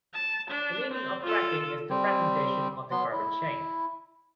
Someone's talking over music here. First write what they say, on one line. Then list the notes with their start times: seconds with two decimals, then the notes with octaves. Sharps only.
The meaning of cracking is the fragmentation of the carbon chain.
0.14 A5
0.50 D4
0.93 C4
1.24 F4 A4
1.90 G3 C4
2.91 F#3 B3 C6
3.12 E4